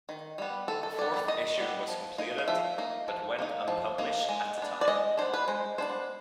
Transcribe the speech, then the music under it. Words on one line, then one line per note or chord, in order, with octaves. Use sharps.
A fourth issue was completed but went unpublished at the time.
D#3
G3 B3
D#3 A4
A4
G3 B3 D5
D5
D#3 D#5
G3 B3
F3
A#3 D#4
F5
F3 E5
A#3 D#4
F3
A#3 D#4
F3
A#3 D#4
G#3
B3 D4
D5
G#3 D#5
B3 D4 C5
B4
G#3 C5
B3 D4 C5